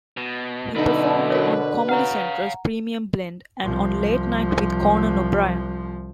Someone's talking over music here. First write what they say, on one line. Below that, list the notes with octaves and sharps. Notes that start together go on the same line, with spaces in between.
He performed on Comedy Central's "Premium Blend" and on "Late Night with Conan O'Brien".
B2
F#2 B2 D3 D#4 E4
F#4 A#4 B4 C#5
C#5 F5 F#5 A#5
C2 F3